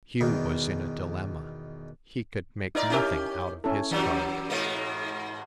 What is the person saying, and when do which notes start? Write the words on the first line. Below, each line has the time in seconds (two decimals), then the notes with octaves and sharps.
Hugh was in a dilemma; he could make nothing out of his card.
0.21 E2 B2 D#3
2.75 D#4 E4 A#4 D5
2.90 C#4 E4 G4 A#4
3.64 C#4 E4 A4
3.91 F#2 E3 F#3 G3
4.50 G#2 B2 A#3